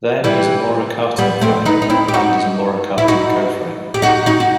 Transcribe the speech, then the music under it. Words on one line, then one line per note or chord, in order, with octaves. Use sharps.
Then is a Maurer-Cartan frame, and is a Maurer-Cartan coframe.
E3 G3
G3 B3
A3 C4
B3 D#4
D#4
C4 E4
G4
D#4 F#4
E4
D#4 F#4
G4
D#4 F#4
D#4 F#4
F#4